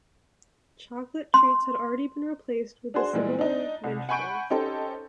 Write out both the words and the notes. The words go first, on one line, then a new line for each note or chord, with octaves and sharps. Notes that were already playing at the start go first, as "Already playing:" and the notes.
Chocolate Treets had already been replaced with the similar Minstrels.
C6
D4 F#4 G#4 C5
A#2 E3 G3 G#3
D4 D#4
C2
F#5 G#5 B5 C#6 G6 D7
C#4 D#4 G4 A4 C5